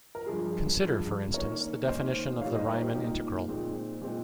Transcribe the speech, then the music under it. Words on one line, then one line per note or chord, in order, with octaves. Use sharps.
Consider, for instance, the definition of the Riemann integral.
A#4
G2 F3 G#3 G#4
G2 F3 G#3
D#3 A#3 C#4 A#4 C#5
D#3 A#3 C#4 C5 D#5
A#2 G3 A#3 D#4 C#5 F5
C5 D#5
A#4 C#5
G4 A#4
A#2 G3 A#3 D#4
A#2 G#3 C4 D#4
A#2 G#3 C4 D#4 G#4